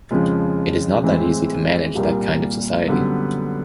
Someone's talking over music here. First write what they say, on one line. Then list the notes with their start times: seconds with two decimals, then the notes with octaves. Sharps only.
It is not that easy to manage that kind of society.
0.11 F2 C#3 F3 G#3
1.04 A2 E3 G#3 C4 E4
1.95 C2 A#2 G3 A#3
2.88 F#2 D3 G3 B3